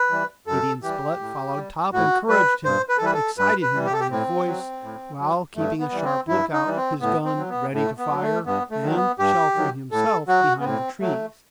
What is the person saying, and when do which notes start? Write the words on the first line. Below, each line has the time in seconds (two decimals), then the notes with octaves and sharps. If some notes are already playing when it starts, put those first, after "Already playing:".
Gideon Spilett followed Top, encouraged him, excited him by his voice, while keeping a sharp look-out, his gun ready to fire, and sheltering himself behind the trees.
Already playing: B4
0.10 E3 G3
0.47 F#2 A4
0.83 E3 G3 G4
1.20 A2
1.56 G3
1.92 A2 F#4
2.29 G3 B4
2.65 G2 C5
2.89 B4
2.97 A4
3.01 E3 G3 B4
3.13 A4
3.38 G2 B4
3.62 B4
3.74 E3 G3
3.86 G4
3.93 A4
4.00 G4
4.10 A2 C4
4.47 F#3
4.83 A2
5.19 F#3
5.55 G2 A3
5.80 B3
5.92 E3 G3
6.04 C4
6.28 G2 E4
6.52 D#4
6.65 E3 G3
6.76 C4
7.01 A2 B3
7.25 C4
7.37 F#3
7.49 B3
7.73 A2 A3
7.98 B3
8.10 F#3
8.22 A3
8.46 G2 B3
8.71 A3
8.82 D#3 F#3
8.95 B3
9.19 G2 G4
9.55 D#3 F#3
9.92 A2 A4
10.28 F#3 F#4
10.60 B3
10.64 A2 C4
11.00 F#3 A3